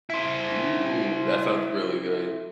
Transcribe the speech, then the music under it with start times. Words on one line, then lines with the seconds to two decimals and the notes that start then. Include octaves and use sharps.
Ooh, that sounds really good.
0.10 E4 C5